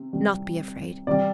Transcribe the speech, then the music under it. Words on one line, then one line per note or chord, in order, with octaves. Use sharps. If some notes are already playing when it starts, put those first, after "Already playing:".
Not be afraid.
Already playing: C3
C3 G3
C3 G3 D5